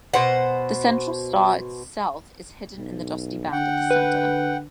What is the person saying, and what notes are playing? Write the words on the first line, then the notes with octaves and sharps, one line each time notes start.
The central star itself is hidden in the dusty band at the center.
B2 C5 F#5
B1
D3 F#5 G5
B4